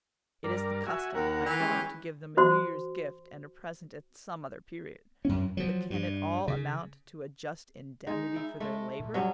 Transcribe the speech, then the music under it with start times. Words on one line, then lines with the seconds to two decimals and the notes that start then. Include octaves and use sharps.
It is the custom, I know, to give them a new year's gift and a present at some other period, but can it all amount to a just indemnity for their labour?
0.44 G2 A#4 D5
0.86 F#4 E5 G#5
1.15 D#2 A#4 F#5
1.46 E3
1.60 G#3 C#4 G4
2.37 F#4 C5 C6
5.25 F#2 C#4
5.57 F3 F#3
5.90 G2
6.48 C#3
8.07 G#3 D#4
8.36 E4
8.60 G#3 A3
9.00 A#2
9.14 G2 F#3 C#4